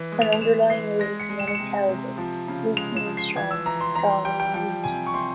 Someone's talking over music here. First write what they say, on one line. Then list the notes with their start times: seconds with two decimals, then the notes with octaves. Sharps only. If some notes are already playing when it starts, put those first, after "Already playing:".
An underlying rule to many tells is: weak means strong, strong means weak.
Already playing: E3
0.12 G#3
0.22 F7
0.33 F7
0.41 E3 E7
0.70 E3 C7
1.00 G#3 A#6
1.20 C#7
1.29 G#3
1.39 E7
1.48 C#7
1.55 C3 E7
1.89 C3
2.18 F3
2.48 C#3
2.77 G#3 F7
2.97 E7
3.06 F3
3.17 C7
3.37 E3 G#6
3.51 E6
3.66 E3 A#5
3.81 C6
3.95 E3 A#5
4.10 C6
4.25 G3 G5
4.40 G5
4.54 F3 G5
4.84 C3 G#5
5.07 C#6
5.14 C3 C6